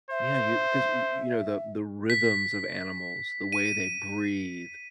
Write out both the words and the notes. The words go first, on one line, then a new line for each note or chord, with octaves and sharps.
yeah, you 'cause, you you know, the the rhythms of animals, the way they breathe,
C5 E5
B6
D#7